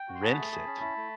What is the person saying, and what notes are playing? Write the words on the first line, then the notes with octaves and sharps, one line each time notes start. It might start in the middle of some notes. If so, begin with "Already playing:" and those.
Rinse it?
Already playing: G5
F#4
C6
G#4 A5 B5
A3
G#4
C#4
E4
A3